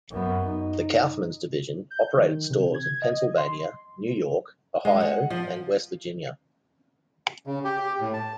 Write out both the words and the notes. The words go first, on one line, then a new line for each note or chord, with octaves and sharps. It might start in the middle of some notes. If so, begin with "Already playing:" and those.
The Kaufmann's division operated stores in Pennsylvania, New York, Ohio and West Virginia.
F#2 B3
D#4
G6
D#3
C3
G#6
D#5
C6
G#3
F#5
F3
C#3
G4
G4
A2
A5